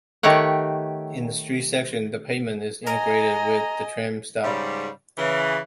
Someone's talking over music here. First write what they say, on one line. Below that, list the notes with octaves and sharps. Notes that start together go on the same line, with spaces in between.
In street sections, the pavement is integrated with the tram stop.
D#3 A3 G4 C#5 F#5
D#5 G#5 A#5
G#2 C#3 G3
C#3 E3